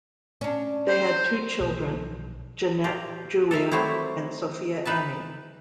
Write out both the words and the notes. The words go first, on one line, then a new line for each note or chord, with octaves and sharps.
They had two children: Jeanette Julia and Sophia Annie.
C#4 D4
C5
B1 F3
A#2 F4 G4
A4 A#4 E5 F5
F#3 G3 A3 C4 E4
D#4 B4 E5 A5